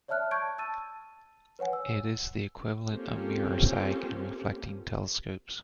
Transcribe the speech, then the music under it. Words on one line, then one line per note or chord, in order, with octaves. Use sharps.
It is the equivalent of mirror sag in reflecting telescopes.
C#5 D5 E5 A5 F6 F#6
A5 C#6 G6 G#6 D7
A5 E6 A6 D#7
B4 C#5 F#5 G#5
E6
A#3 C4 C#4 F4 G4 A4